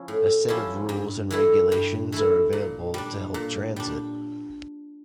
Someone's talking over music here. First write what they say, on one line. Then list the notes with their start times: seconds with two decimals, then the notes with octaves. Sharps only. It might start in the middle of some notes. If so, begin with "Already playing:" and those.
A set of rules and regulations are available to help transit.
Already playing: F3 C#4 E4
0.08 A2
0.48 F3 C#4 E4 G4
0.89 G2
1.31 E3 A3 E4
1.72 G2
2.12 E3 A3 E4
2.53 A#2
2.94 G3 D4
3.34 A#2
3.76 G3 D4